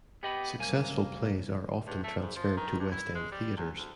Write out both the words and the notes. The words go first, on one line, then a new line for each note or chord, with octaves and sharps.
Successful plays are often transferred to West End theatres.
B3 G4 D#5 B5
C2 F#2 A#3 G#5
G2
A3
G#2
F3
D#3
G2
E4
G#3
G3
E2
D2